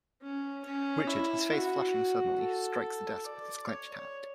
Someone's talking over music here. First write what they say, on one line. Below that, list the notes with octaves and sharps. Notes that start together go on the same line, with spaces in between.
Richard, his face flushing suddenly, strikes the desk with his clenched hand.
C#4
C#4
E4
F#4
A4
D5
C#5